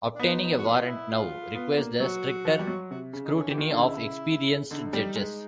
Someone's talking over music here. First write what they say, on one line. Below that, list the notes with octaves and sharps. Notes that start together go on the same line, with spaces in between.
Obtaining a warrant now requires the stricter scrutiny of experienced judges.
D4
B3 D#4
D#4
F#4
F4
E4
F4
B3
A#3
F#3 F#4
F3
G3
F#3
C3 F#4
C#3
D#4
D3 C#4
E3 G4
D#3 F#4
D3 F4
C#3 E4
D3 D#4
E4
D#4
G3
G#3